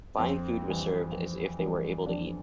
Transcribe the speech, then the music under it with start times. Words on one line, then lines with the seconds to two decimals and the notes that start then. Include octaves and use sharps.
Fine food was served, as if they were able to eat.
0.18 F2 C4
0.66 E3 G3
1.12 F2
1.59 E3 G3
2.06 F2 D4